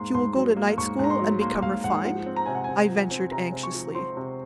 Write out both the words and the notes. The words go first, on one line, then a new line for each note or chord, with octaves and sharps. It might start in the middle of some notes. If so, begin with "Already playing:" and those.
"She will go to night school and become refined?" I ventured anxiously.
Already playing: G#2 A#3 C6
G#2 C6
F#3
A#3
G#2 C#6
G#2 A#5
C6
F#3
A#3 C6
G#2 F5
G#2 F#5
F3 F#5
C4
A#5
C3 G#5
F#5
C3 G#5
F3
C4
C3 A#5
C3
C#6
F3
C4 C6
C3